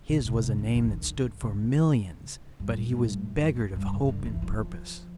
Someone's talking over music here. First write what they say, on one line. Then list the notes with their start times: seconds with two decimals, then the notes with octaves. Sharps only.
His was a name that stood for millions, but he was beggared of hope and purpose.
0.09 B2
0.25 C3
0.43 C#3
0.59 D3
0.76 D#3
0.93 D3
1.42 C#3
2.60 G2
2.76 G#2
2.92 A2
3.09 G2
3.25 F#2
3.42 F2
3.60 F2
3.76 G2
3.93 C#3
4.09 D3
4.25 E3
4.42 F3